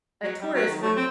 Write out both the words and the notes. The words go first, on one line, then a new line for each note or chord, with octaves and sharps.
a tourist wouldn't
F#3
G3
F#3
D#3
A3
C4